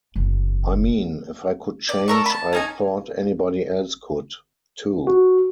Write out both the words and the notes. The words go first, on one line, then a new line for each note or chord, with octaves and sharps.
I mean, if I could change I thought anybody else could, too.
F#1 E2
D5
A4 A#4 C#6
A5 B5
C#4 D#4 G#5
F#4